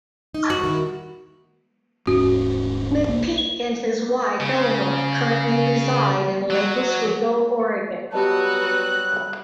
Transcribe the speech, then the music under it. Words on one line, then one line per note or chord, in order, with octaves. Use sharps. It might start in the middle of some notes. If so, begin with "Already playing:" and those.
McPeak and his wife Elynor currently reside in Lake Oswego, Oregon.
D#4
E2 F#4
D#3 E4
D#1 G#2 C#4 F#4
B1 A#3
C#3
F#3
F#3 G3 B3 F#4 G4 D#5 A5 F#6